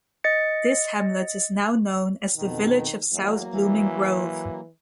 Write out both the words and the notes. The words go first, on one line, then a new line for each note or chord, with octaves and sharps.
This hamlet is now known as the Village of South Blooming Grove.
D#5 A6 C#7
F2 B2 D#3
E2 F#3 A#3
E3